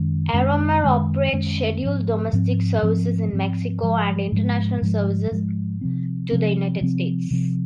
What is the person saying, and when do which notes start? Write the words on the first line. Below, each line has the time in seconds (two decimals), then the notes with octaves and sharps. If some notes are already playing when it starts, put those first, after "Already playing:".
Aeromar operates scheduled domestic services in Mexico and international services to the United States.
Already playing: F#2 D#3 G#3 C#4
0.33 F#2 D#3 G#3 C#4
0.83 F#2 D#3 G#3 C#4
1.32 F#2 D#3 G#3 C#4
1.83 G#2 F3 C4
2.33 G#2 F3 C4
2.82 G#2 F3 C4
3.33 G#2 F3 C4
3.82 G#2 F3 G#3
4.32 G#2 F3 G#3
4.82 G#2 F3 G#3
5.31 G#2 F3 G#3
5.81 C3 F3 C4
6.31 C3 F3 C4
6.81 C3 F3 C4
7.31 C3 F3 C4